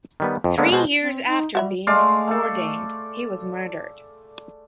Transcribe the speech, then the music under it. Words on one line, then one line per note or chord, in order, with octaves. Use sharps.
Three years after being ordained, he was murdered.
D#3 G3 B3
F2
D3 G#3 A#3 B3 C#4 D4
B2 G#3 C5 D#5 A5
C4
D#4
G3 F#4 E5 B5
G#3 A3 D5 F5
A3 A4